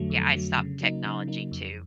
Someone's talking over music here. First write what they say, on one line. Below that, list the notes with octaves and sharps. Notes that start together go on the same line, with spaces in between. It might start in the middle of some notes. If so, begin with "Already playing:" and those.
Yeah, I stopped technology too,
Already playing: F2 D3 F#3 A3
F2
D3 F#3 A3
C#3
F#3 A#3 D#4
C#3
F#3 A#3 D#4
F2